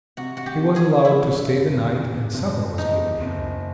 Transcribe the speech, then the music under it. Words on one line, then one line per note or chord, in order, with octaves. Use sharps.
He was allowed to stay the night, and supper was given him.
C3 F#4
F#4
G4
C3
G#4
C3 E4
F#1
E2
F#1
E2 D#4
F#1